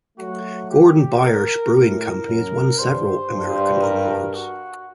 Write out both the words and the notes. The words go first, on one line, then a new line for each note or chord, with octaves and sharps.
Gordon Biersch Brewing Company has won several American awards.
F#3 A3 F#4
G4
A#4
A2 A#4
F#2
G2 C5
G2
A#4
F#4